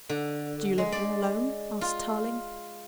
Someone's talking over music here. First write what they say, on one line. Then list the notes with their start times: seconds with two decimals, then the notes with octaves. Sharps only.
"Do you live here alone?" asked Tarling.
0.09 D3
0.78 G#3
0.92 D5
1.81 F4